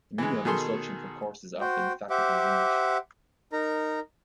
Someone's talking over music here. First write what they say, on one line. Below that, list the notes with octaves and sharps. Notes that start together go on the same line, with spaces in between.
The medium of instruction for courses offered in the faculty is English.
E3 G#3
B2 D#3 G#4 A4 C6
F#4 C5 G5
G4 C5 E5 F#5 D6
D#4 A#4 A#5